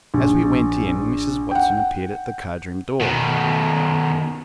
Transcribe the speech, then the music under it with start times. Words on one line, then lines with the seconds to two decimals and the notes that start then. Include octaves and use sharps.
As we went in Mrs. Watson appeared at the card-room door.
0.14 A#1
1.51 F#5 G5
3.01 B2 D#3